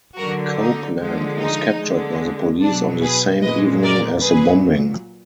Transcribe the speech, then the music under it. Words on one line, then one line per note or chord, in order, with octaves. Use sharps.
Copeland was captured by the police on the same evening as the bombing.
D3 F#3 F#4 A#4
D#4
D3 F3 G#3
D#4
D3 G#3
B2 F#3 D4
G#4 B4
A#2 F3 G#3 B4 D#5
A#4 D5
A#2 F#3 G#4 B4